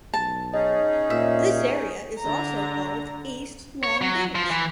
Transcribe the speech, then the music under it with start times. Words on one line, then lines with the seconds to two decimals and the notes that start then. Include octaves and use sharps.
This area is also called East Long Beach.
0.14 B1 A5
0.54 C#4 D#4 G#4 D#5
1.10 A#2 E5
2.21 D3 A#5
3.84 C#5
4.02 F#3
4.35 F3
4.51 E3